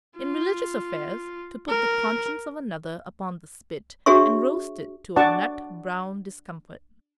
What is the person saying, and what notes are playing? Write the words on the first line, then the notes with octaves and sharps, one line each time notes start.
In religious affairs, to put the conscience of another upon the spit and roast it to a nut-brown discomfort.
F4
A#4
D4 F#4 G#4 C#5 E5 C#6
D4 F#4 D5 F#5 A5 C#6